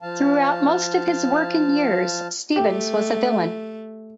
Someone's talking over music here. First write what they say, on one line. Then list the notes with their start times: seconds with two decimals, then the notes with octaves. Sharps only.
Throughout most of his working years, Stevens was a villain.
0.02 F3 F5 A5
2.56 A3 G4